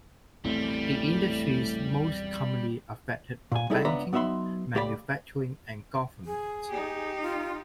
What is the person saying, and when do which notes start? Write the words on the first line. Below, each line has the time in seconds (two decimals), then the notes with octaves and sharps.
The industries most commonly affected are banking, manufacturing, and government.
0.44 A#1 E2 A2 G3 C4
3.52 A#2 G#5
3.70 G3 D#4 E4 G#4 A4
3.85 C#2 B3 D4 E5 A#5 B5
4.13 F#3 B3 D#4 E5 B5 C6
4.75 C#2 A3 G4 D5 E5 B5
6.25 G#4
6.69 D#4 G4
7.22 F4